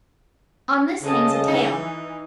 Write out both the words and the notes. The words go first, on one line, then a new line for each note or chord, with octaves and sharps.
On this hangs a tale.
C#3 A4 D#5 A5
E3 D#4